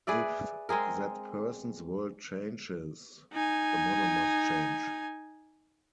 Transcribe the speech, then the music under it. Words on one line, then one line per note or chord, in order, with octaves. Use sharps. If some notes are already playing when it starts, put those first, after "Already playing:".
If that person's world changes, the model must change.
G#4 B4 D5 E5
G#3 C4 G#4 A#4
D#4 G#5